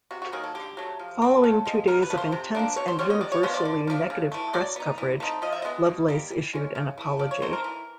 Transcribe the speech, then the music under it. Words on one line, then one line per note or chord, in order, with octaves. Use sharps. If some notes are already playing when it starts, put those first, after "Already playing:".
Following two days of intense and universally negative press coverage, Lovelace issued an apology.
C3 F#4
F#4
D#3 F#3 A#3 G#4
A4
D3 G4
F#3 A3
F3
A3 C4
C#3 A4
F3 G#3
C3 A#4
B4
F3 A3
C5
C3
F3 A#3 D4
B2 C#5
C5
G3 B3 C#5
D#5
C3 D5
C#5
F3 G#3 B3 C5
D5
D3
F3 A3 D4
C#3
E3 A3
F#3 D5
B3 D#4
E3
A3 C4 D#4
F3 D#5
E5
G#3 B3 D#5
B2
G3 A#3
E3
G#3 C#4
C#3
E3 A3
F3 D5
C#5
A3 C4 D#4 C5
A#4
E3